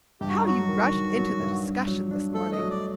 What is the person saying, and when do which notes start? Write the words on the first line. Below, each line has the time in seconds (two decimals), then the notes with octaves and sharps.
How you rushed into the discussion this morning!
0.21 G2 G4
0.29 F#4
0.37 D#4
0.44 F#3 F#4
0.68 D#3
0.92 D#3
1.15 F#3
1.40 G2
1.64 D4
1.87 F#3
2.11 D4
2.34 A3 A4
2.52 D#5
2.59 F#3
2.70 D5